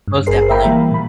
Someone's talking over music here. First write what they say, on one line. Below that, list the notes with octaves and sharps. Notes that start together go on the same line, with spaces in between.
most definitely.
G2
G1 G#4 A#4 C5 C7
A#4 E5 F5 G5 A#5 B5
E3 G3 A#3
A#2 B5